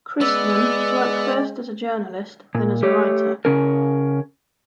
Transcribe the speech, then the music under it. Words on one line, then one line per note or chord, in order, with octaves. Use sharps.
Kristmann worked first as a journalist, then as a writer.
G#3 B3 D5 E6
A#2
A3 G4 C#5
C#3 C#4 A#4